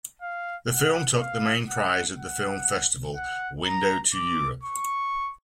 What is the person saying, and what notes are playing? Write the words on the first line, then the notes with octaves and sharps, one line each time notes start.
The film took the main prize at the film festival "Window to Europe".
F5
F#5
F5
F#5
F#5
F#5
A#5
D6
C#6